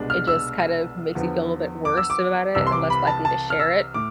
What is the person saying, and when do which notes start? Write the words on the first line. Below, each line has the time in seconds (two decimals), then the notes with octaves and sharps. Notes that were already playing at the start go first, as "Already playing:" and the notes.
it just kind of makes you feel a little bit worse about it and less likely to share it.
Already playing: C2 B2 G#3 D4
0.10 F6
0.28 E6
1.15 E2 D3 F3 B3
1.85 D6
1.97 E6
2.10 D6
2.55 C2 C3 E3 E6
2.66 C6
2.72 D6
2.90 B5
3.07 A5
3.25 A5
3.50 F6
3.60 E6
3.94 A2 D6